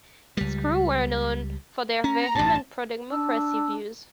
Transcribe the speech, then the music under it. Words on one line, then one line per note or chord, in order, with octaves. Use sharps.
Its crew were known for their vehement pro-democracy views.
C#2 G3
C#4 A#5
A1 G2 A5
D4 E6